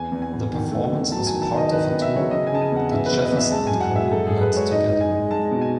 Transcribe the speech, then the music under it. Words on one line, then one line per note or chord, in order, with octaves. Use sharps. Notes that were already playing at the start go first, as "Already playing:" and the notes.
The performance was part of a tour that Jefferson and Cole led together.
Already playing: E2 G#5
E2
G#5
E2
D#3
A3
E2
F#3 A5
G#5
D#3
A5
D#3
D#5
D#3 B4
B3 D#5
E5
F#3 C#5
C#3 D#5
G#5
C#3 A5
G#5
E2 F#5
C#3 E5
B4
E2
D#5
E2 E5
G#3 A5
F#2 G#5
F#5
G#3 E5
F#2 A4
G#3 G#4
B4
G#3
C#5
D#4 D#5
D#4
G#5
G#3
G#3 A5
B2
G#5